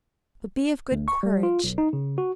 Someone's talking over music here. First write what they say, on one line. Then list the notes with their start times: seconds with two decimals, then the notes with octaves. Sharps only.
But be of good courage.
0.92 D2
1.08 C#6
1.23 G3
1.43 F4
1.64 B1
1.78 D#4
1.93 C#3
2.18 F#4